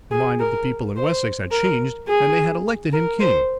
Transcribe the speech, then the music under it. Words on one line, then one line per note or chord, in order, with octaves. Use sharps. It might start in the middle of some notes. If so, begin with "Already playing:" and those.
The mind of the people in Wessex had changed and they had elected him king.
G#4
A#4
C5
A#4
G#4
A#4
C5